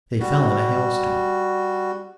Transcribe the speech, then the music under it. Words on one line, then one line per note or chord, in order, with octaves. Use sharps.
They fell in a hailstorm.
G3 F#4